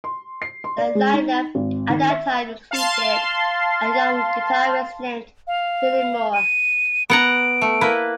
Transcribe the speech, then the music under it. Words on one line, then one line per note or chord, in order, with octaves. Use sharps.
The lineup at that time included a young guitarist named Vinnie Moore.
C6
C7
C6
D5
G#3
D#4
G#1
D#3
E5
F5 A5 C6
F5
D#7
B3 F#5 A#5 D7
A3
A#3 E4 B4